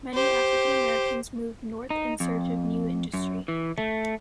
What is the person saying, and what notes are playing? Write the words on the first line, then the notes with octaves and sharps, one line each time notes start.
Many African Americans moved north in search of new industry.
G4 C5
D#4
F2
F#2
E3
A3